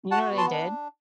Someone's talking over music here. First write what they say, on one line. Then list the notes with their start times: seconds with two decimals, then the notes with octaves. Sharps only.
You know what I did?
0.11 F#4 F#5 A5
0.31 B3
0.38 A5 C6
0.52 D4